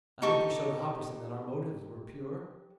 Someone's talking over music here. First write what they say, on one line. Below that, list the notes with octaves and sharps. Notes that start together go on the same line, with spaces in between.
"I hope you showed Hopperson that our motives were pure?"
D#4 G4 A4 C#6